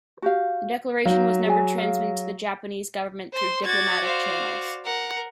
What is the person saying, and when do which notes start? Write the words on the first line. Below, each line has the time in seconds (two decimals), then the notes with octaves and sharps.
The Declaration was never transmitted to the Japanese government through diplomatic channels.
0.22 F#4 G4 F5
1.05 F#3 D#4 F5
1.46 G#4 D5 G#5
1.78 G#4 F5
3.33 C5 C6
3.65 F#4 D5 G#6 A6
4.05 C5 F5
4.85 A#4 F#5